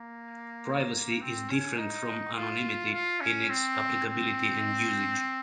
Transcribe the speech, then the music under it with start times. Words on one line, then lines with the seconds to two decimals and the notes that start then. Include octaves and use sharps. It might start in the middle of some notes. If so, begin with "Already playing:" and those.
Privacy is different from anonymity in its applicability and usage.
Already playing: A#3
1.21 C4
1.50 C#4
1.78 D#4
2.35 F4
2.93 F4
3.21 C#4
3.50 C4
4.07 C4